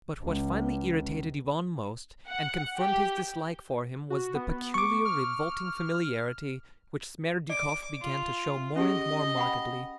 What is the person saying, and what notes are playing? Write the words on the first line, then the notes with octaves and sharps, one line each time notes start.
But what finally irritated Ivan most and confirmed his dislike for him was the peculiar, revolting familiarity which Smerdyakov began to show more and more markedly.
C#2
F#5
G4
F#4
B3
C#6 D6
F6
D5 D6
F4
C#4 G4 G#4 D#5
F#5 G5 B5